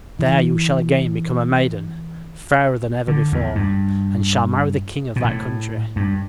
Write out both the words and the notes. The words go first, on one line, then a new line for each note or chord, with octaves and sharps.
There you shall again become a maiden, fairer than ever before, and shall marry the king of that country.
E3
D3
E2
G2
B2
A2
G2